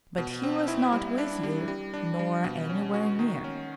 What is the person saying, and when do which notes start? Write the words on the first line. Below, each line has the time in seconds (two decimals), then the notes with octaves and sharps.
But he was not with you nor anywhere near.
0.18 B2
0.43 C4
0.68 E4
0.93 G3
1.18 D4
1.43 G3
1.68 G3
1.94 D4
2.19 G3
2.44 B2
2.69 C#4
2.94 F#4
3.19 D#3
3.44 C#4